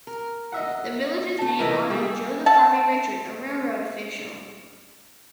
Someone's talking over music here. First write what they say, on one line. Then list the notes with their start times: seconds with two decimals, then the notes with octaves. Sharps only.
The village's name honors Joseph Harvey Richards, a railroad official.
0.07 A#4
0.52 D#5 E5 F#5
1.38 A3 A5
1.59 C3 E3 A3 E4 A#4 D#5
1.90 G3 A3 G#4 E5
2.46 E5 F#5 A5